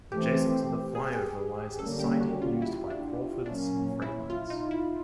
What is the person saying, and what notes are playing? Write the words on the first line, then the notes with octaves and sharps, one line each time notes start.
Adjacent to the flyover lies a siding used by Crawfords Freightlines.
E3 A3 C4 G4
G#4
D3 G3 A#3 C#4 A4
G4
F#4
F4
E4
D4
A#2 F#3 A#3 C#4 D4
E4
F4
D#4
E4